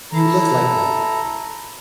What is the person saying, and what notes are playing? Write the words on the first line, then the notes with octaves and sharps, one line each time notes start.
You look like one.
E4 A4 A#5